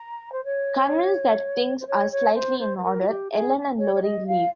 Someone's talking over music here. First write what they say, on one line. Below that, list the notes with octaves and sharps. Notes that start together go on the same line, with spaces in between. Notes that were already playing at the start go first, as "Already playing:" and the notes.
Convinced that things are slightly in order, Ellen and Lori leave.
Already playing: A#5
C5
C#5
C5
C#5
C#5
C5
C5
C5
A#4
F4
G4
G#4
C#5
C#5
D#5
F5